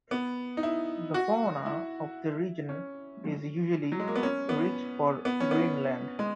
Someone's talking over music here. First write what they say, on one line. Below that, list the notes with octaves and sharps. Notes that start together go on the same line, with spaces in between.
The fauna of the region is unusually rich for Greenland.
B3
D#4
E4
F#4
E4
C#4
F#3
G#3
A#3
B3
C#4
B3
B3
C#4
B3
G#3